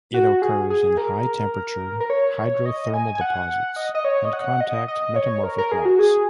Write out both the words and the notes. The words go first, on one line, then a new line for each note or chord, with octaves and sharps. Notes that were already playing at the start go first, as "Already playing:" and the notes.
It occurs in high temperature hydrothermal deposits and contact metamorphic rocks.
F#4
G#4
G#4
A#4
A#4
C#5
D#5
G#5
G#5
F#5
D#5
D#5
C#5
D#5
F#5
D#5
D#5
C#5
A#4
A#4
G#4
F#4
G#4